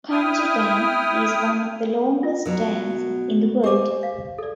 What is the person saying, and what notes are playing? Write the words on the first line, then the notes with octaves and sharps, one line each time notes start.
Kanji Dam is one of the longest dams in the world.
E4 G5 D#6 F6
F4
B2 F#3 A#4 B4 A#5
G4 C5 G#5 D6
F5
A4 D5